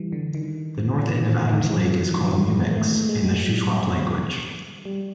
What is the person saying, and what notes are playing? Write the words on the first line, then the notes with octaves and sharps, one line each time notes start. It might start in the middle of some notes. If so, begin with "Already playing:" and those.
The north end of Adams Lake is called Mumix in the Shuswap language.
Already playing: E3 G3
D3
D#3
E3
D#3
D3
D#3
E3
F#3
F3
E3
D#3
E3
G#3
A#3
A3
A3
G#3
G3
F#3
G3
G3